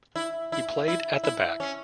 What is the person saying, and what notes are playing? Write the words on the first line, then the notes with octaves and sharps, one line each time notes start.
He played at the back.
E4
E4
E4
E4
C#4